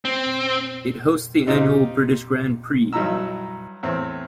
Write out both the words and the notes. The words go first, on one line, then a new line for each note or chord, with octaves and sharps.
It hosts the annual British Grand Prix.
C4
C4 D#4 F4 G4
G2 F#3 D#4 E4 A#5 E6
E2 A2 C4